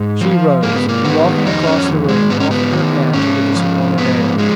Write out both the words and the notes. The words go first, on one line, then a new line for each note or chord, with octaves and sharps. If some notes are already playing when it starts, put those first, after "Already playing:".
She rose, and walking across the room, offered her hand to the disappointed heir.
Already playing: G#2
F3
G#2 A#3
B3
A#3
D#3 B3
F2 D#4
C#4
D#3
G#3
G#2 B3
C#4
B3
D#3
G#2 C#4
F3
G#2 B3
F3 G#3